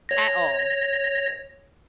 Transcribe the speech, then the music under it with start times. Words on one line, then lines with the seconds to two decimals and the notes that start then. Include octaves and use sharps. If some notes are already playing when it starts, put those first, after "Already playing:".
at all.
0.09 C#5 A#6